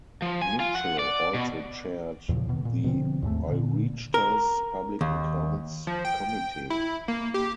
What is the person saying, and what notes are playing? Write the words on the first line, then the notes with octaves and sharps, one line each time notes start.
Mitchell also chaired the Oireachtas "Public Accounts Committee".
F3
G#5
F4
F#5
D5
B2
E2 A#2 C#3 F3
B2 D#3
A#2
B2 D3 F3 C4
D#2 G#2 G#3 A3
A#2 D3
A#4
D#2
F3
G5
E4
A#3
G4